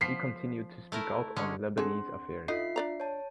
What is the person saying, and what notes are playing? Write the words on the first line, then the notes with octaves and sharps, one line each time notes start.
He continued to speak out on Lebanese affairs.
F3 B6 C7
A3 E4 A#4
D3 G#3 C#4
C4 D4 G#4 A4 C6
D3 D#4 F4 D#5 E5 C7
D4 D5 A#5
C#5 A5